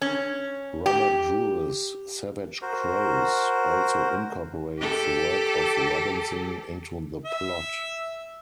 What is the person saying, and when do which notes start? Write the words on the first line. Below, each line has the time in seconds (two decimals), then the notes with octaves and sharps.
Robert Drewes' 'Savage Crows' also incorporates the work of Robinson into the plot.
0.01 C#4
0.86 G4
2.62 F#4 A#4 C5
4.79 G4 A4
7.25 E5